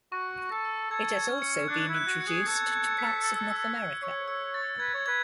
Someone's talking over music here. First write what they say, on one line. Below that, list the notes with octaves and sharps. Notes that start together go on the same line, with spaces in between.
It has also been introduced to parts of North America.
F#4 C#6
C#6
A4
E6
A4 G#6
G#6
C#4
C#7
D4 F#6
E4
F#6
F#4
C#7
G#4
A4 G#6
G#6
B6
E6
E6
B6
C#5 E6
E6
A6
B4 G#6
C#5
B4 G#6